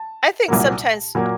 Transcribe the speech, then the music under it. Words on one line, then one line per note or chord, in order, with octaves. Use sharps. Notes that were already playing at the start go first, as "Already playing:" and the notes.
I think sometimes
Already playing: A5
C2 A#2 F#3 A#3
A#2 F#3 A#3